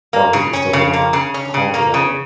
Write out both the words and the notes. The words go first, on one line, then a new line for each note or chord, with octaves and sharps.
or we can still get on a call together,
A#3
C#3
C#4
C#3
A#3
C#3
C#4
C#3
A#3
C#3